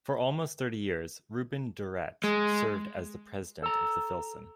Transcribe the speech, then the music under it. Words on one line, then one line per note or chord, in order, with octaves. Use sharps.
For almost thirty years, Reuben Durrett served as the president of the Filson.
G#3
A4 A#5